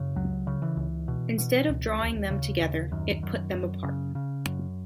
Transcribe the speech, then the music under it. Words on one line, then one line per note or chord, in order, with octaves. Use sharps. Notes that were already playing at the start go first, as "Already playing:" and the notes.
Instead of drawing them together, it put them apart.
Already playing: F#2 C#3
C#2 F#3
C#3
E3
C#2
B2
B2
C#2
D#2
C#3
D#2
F#2 D#3
F#2
F#2
C#3
C#3
F#2